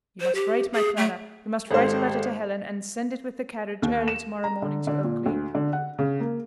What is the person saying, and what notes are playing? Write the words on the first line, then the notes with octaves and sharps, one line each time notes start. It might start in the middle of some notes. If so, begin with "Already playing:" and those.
You must write, my Clara--you must write a letter to Helen, and send it with the carriage early to-morrow morning to Oakley.
C5
G4
G#4
A3
G#1 G#3 G4 A4 C5
D#2
E7
A#5
D3
D3
A#2
D2
D3
F#5
C#3
A#3